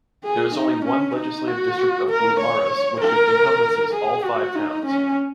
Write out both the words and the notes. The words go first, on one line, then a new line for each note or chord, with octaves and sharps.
There is only one legislative district of Guimaras which encompasses all five towns.
G#4
D#4
C#4
D#4
F#4
A#4
C#5
A#4
G#4
F#4
D#4
C#4